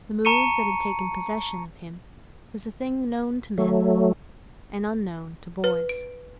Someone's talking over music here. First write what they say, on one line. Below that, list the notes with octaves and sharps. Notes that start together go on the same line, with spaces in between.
The mood that had taken possession of him was a thing known to men and unknown to boys.
A5 A#5 C#6 C#7 D#7
F#3 A3
B4
D7